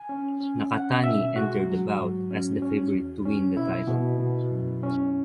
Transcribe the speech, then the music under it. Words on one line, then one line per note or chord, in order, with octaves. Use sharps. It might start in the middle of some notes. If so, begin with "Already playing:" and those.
Nakatani entered the bout as the favorite to win the title.
Already playing: G#5
C#4
C#4
C#4 F#5
B2 E5
G#3 F#4
F#3
G#2
C#4
C#4
E2
C#4
B2 E4
B2
B2
F#2
C#4